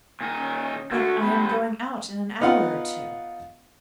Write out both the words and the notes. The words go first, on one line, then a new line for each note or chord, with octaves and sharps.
But I am going out in an hour or two.'
A#2 D#3 D#4
C#4
D3 A3 F#4
D3 G3 B3 B4
B3 D#4 F4 F5 F#5